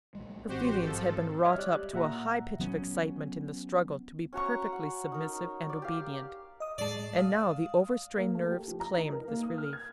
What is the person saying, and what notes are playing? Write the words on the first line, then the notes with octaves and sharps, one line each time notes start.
Her feelings had been wrought up to a high pitch of excitement in the struggle to be perfectly submissive and obedient, and now the overstrained nerves claimed this relief.
A#1 G3 G#3
A1 C4 F#4 G4 C5
G#2 F3 A4
C#5 D#5 E5 F6 G#6
G3 G4 D5 F#6
A#2 E5 F#5 A#5
F#3 B3 C#4
C#4 F#4 A#5 C#6
F#5
D#4 A#4
D5
G4 F5
D#5 D#6
A2 G#3 D5 A5
F5 D#6
A#3
A3
G4
F3
A#5
D#4
A#4
A#3
D#6
F6
G#6